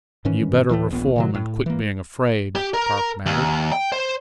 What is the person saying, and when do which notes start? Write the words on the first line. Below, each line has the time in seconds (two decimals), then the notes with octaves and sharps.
"Yuh better reform and quit being afraid," Park bantered.
0.25 G#2 D#3 E3 C#4
0.69 D2 E3 G#3 A3
0.90 D#1 A#1 B3
1.16 C3 D#3 F#3
1.35 A2
1.66 E3 A#3
2.56 G4
2.74 A#4
3.26 D#2
3.72 G5
3.92 C5